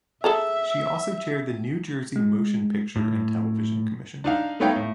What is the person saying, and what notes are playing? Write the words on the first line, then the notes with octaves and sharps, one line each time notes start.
She also chaired the New Jersey Motion Picture and Television Commission.
G#4 A4 E5 A#5
G#3
A2
D4 D#4 F5
A3 B3 D#4 C#5 F5 G5
A2